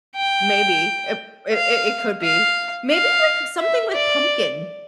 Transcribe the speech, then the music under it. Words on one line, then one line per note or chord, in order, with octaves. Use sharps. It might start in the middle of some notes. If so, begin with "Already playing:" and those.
Maybe. Ip it it it could be. Maybe, like, something with pumpkin.
G5
F5
F5
F5
E5
D5